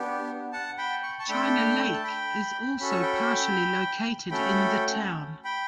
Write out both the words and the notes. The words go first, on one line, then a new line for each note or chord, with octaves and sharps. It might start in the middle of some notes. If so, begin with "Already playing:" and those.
China Lake is also partially located in the town.
Already playing: B3 D4 G4
F#5 A5
G5 B5
C#6
A5 C#6
A3 D4 A4 G5 B5
G5
A5
G5 B5
C#4 F#4 A4 B5
C#6
G5 B5
A3 C#4 F#4 A4 G5 B5
G5 B5